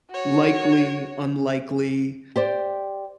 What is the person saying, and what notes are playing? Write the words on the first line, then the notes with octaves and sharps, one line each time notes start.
likely, unlikely?
F#4 C#5
G4 C5 D5